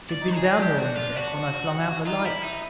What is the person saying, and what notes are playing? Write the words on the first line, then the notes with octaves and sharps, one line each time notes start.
She had been down there on the deck when I flung out the lights.
D5
D#4
G#4
D4 G4
F#4
F4
F#4
D#4 F4
E4
D#4 E4